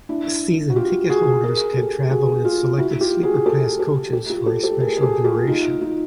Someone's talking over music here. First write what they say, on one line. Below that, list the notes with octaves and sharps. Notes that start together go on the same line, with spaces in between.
Season ticket holders can travel in selected sleeper class coaches for a specified duration.
D4 E4
F#4
F4 G4
F#4 G#4
G#4 A#4
G#4
G4 A4
F#4 G#4
F4 G4
E4 F#4
F4 G4
F#4 G#4
G4 A4
G4 A4
G4 A4
F4 G4
G4 A4
G4 A4
G#4 A#4
G#4
G4 A4
F4 G4
D#4 F4
D#4 F4